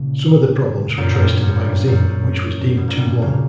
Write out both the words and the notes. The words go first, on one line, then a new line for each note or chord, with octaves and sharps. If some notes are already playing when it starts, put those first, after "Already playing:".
Some of the problems were traced to the magazine, which was deemed too long.
Already playing: A#2 C#3
F#2 A#2
F#2
G2
F#2
A#2
G2
F#2 A#2
B2
A#2
G2 B2
A#2 C#3